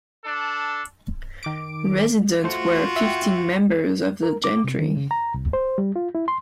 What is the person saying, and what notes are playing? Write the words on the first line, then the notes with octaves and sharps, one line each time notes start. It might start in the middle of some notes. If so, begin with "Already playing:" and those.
Resident were fifteen members of the gentry.
D4 A4
D#3 D6 D7
A3 F4 F#4 C5
E5 F#5 G5
A#4
D6
C3
D#3
C#3
A#5
C2
C5
G3
F4
E4
C6